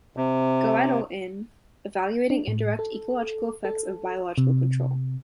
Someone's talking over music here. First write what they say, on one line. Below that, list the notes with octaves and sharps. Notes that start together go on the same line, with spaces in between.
Goettel in "Evaluating Indirect Ecological Effects of Biological Control".
C3
D4
A2
A4
A4
C3